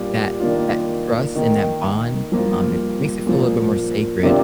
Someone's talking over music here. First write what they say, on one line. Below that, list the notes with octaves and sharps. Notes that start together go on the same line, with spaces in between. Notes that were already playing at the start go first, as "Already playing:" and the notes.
that that trust and that bond, um, it makes it feel a little bit more sacred
Already playing: A#2 G3 D4 F4
D#3 A#3 D4 F4
D#3 A#3 D#4
G2 F3 A#3 F4
A#2 F3 A#3
C3 D#3 A#3 D4 F4